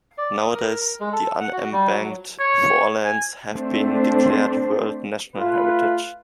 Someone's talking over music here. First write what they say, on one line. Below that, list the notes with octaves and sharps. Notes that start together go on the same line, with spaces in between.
Nowadays the unembanked forelands have been declared world natural heritage.
D5
D#6
A#4
A#4
G#3
A4
F#5
F#4
G3
F#3
C#5
G#5
A3 C4 D4 C5
A3 F4 B4